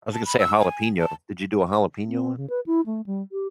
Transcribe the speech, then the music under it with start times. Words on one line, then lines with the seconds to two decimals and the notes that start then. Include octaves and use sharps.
I was gonna say, jalapeno did you do a jalapeno one?
0.13 A5
0.25 B5
0.40 E6
0.60 G#5
0.99 A5
2.08 C4
2.37 C#3
2.49 B4
2.66 E4
2.86 A3
3.06 G3
3.32 G4